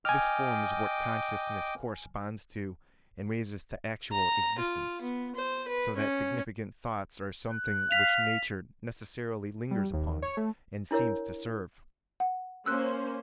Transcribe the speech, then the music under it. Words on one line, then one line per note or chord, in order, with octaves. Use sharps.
This form is what consciousness corresponds to and raises to actual existence; so that significant thoughts are something which nature necessarily lingers upon and seems to serve.
D#5 G5 G#5 D6 F6
A#5
F4
B3
C5
B4
C#4
F#6
F5 B6 F7
G3
D#2
C#5
A3
D4 E4 A#4 C#5
F#5
A#3 C#4 C5 E6 F#6